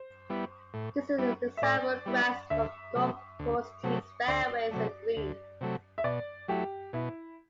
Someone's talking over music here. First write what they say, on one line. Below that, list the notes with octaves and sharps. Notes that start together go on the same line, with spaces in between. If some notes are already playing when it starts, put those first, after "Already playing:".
This is a desirable grass for golf course tees, fairways and greens.
Already playing: C5
G3 B3 E4
A2
G3 B3 E4
E5
A2 D5
G3 B3 E4
D2 E5
C3 F#3 A3
D2
C3 F#3 A3
D2 D5
C3 F#3 A3
D2
C3 F#3 A3
E5
B2 D5
F#3 A3 E4 G4
B2 E4